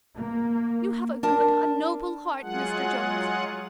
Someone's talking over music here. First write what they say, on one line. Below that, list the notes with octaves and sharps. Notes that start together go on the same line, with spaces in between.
You have a good--a noble heart, Mr Jones.
A#3
D4 A#4 A5
F#3 G#3 F4 G#4 F#5